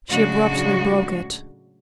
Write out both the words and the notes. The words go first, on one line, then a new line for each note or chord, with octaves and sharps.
She abruptly broke it.
A2 C#3 F#3 G#3 D4 F#4